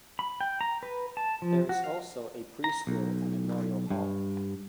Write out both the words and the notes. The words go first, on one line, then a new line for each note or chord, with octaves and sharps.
There is also a Pre-school at Memorial Hall.
B5
G5
A#5
B4
A5
F3
F#4
F5
A#5
B1
G2